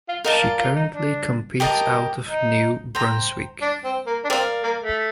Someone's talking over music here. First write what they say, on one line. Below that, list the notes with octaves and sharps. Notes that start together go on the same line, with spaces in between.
She currently competes out of New Brunswick.
F4
D#4 A#4 D5 F5 A5
F4
F4
D#4
D4
G4 A#4 D#5 A5
D#4
C5 G5 A#5
D4
C4
A#3
D4
C4 A#4 D5 F5
A#3
A3